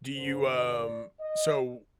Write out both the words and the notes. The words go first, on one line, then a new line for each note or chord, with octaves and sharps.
Do you, um so,
G1 G2 D3 C5
D5
D#5